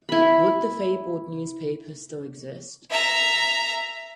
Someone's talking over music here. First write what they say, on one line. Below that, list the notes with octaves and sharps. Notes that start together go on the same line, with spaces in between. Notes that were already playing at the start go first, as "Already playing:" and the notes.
Would the fabled newspaper still exist?
E4 B5
E5 A#5